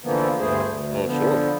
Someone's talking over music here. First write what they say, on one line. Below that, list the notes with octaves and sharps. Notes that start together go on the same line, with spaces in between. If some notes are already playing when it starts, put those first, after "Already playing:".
Oh, sure.
D3 E3 F3 A#3 B3
D2 G2 A3 B3 G#4 C5
D2
D3 F3 B3